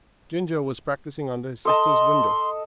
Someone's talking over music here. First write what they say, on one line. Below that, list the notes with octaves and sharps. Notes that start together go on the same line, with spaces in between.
Ginger was practising under his sister's window.
A4 D#5 A5 C6